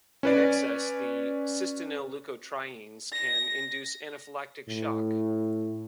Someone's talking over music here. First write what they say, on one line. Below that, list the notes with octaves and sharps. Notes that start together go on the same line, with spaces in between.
In excess, the cysteinyl leukotrienes can induce anaphylactic shock.
C#4 B4 D5
A#6
A2